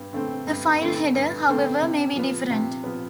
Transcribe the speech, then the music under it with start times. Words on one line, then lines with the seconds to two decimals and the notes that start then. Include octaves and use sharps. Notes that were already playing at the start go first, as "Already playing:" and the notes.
The file header, however, may be different.
Already playing: G2
0.13 D3 A3 C4
0.47 G2
0.81 D3 A3 C4
1.14 G2
1.49 D3 A3 C4
1.83 C3
2.16 F3 B3
2.51 C3
2.84 F3 B3